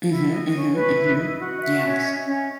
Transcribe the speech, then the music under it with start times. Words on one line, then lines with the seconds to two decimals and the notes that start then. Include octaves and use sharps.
Mhm, mhm, mhm. Yes.
0.07 E4
0.30 D#5
0.51 C#4
0.73 B4
0.95 E4
1.18 D#5
1.38 F#4
1.61 E5
1.82 C#4
2.04 D#5
2.26 C#4